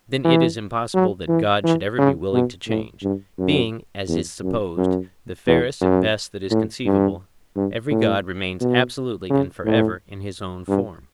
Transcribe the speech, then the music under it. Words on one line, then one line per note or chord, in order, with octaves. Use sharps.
Then it is impossible that God should ever be willing to change; being, as is supposed, the fairest and best that is conceivable, every God remains absolutely and for ever in his own form.
E3
F#3
E3
E3
C#3
B2
A2
G2
F#2
E2
F#2
F#2
E2
F#2
A2
G2
G2
A2
B2
C#3
A2
G2